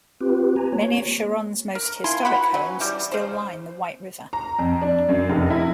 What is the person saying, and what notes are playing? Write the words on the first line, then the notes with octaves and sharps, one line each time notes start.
Many of Sharon's most historic homes still line the White River.
C4 F4 G4 B4
G#5 A#5
A#3 C#5
A#4
E4 F4 G#5 C6
F#4 B4 F#5 B5
F#3 C#4
E3 G3
C#3 C5
A#5
F2
D4
F#2
F1
E4